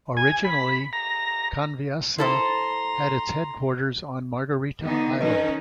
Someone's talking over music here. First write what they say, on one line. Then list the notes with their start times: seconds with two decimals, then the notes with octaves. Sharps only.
Originally Conviasa had its headquarters on Margarita Island.
0.17 G#5
0.45 B5
0.93 A#5
2.18 E4 A4 C5 A#5 C6
4.83 D3 B3 D#4
5.21 E3 C#4 D#4 B4 D#5